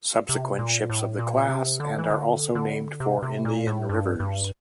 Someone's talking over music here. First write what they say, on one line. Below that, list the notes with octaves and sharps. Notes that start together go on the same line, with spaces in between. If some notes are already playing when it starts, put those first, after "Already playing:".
Subsequent ships of the class, and are also named for Indian rivers.
C3
A#2
A2
A#2
C3
D3
E3
D3
D3
C3
C3
A#2
A2
G2
G2